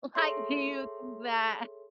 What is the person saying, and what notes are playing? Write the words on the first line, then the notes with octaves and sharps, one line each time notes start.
Like, do you think that
G#4 A4 C#5 E5 C6